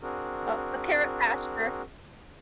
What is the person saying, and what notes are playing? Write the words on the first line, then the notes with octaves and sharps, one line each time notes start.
Oh, a carrot pasture.
C4 D4 F#4 G#4 A#4